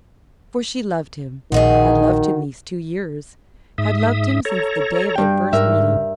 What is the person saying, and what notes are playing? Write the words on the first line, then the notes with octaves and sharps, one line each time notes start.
For she loved him, had loved him these two years, had loved him since the day of their first meeting.
A#1 B2 D#3 D#4 F#4 G#4
G#2 E5 D#6
A4 C#5 A#5
G2 G5
G#2 A#4 E5